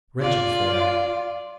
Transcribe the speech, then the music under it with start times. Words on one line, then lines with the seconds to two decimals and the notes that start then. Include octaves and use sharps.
Wretched fare!
0.21 F4 D5